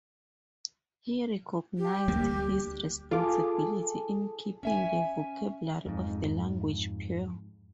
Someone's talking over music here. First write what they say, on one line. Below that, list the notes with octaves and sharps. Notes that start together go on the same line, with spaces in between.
He recognized his responsibility in keeping the vocabulary of the language pure.
G4
D2 G3 A#3
F4 G#4 A4 D6
C#4 E5 G#5
F2 G#2